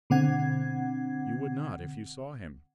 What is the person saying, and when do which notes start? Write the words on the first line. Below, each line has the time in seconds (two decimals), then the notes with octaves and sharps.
You would not if you saw him.
0.10 B2 D3 C4 F#5 G#6